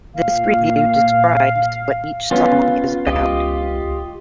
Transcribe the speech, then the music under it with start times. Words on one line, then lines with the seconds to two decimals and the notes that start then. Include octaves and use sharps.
This review describes what each song is about.
0.15 A#2 F5
2.31 B3 C#4 F4
3.07 C#2 F4 G4 D#5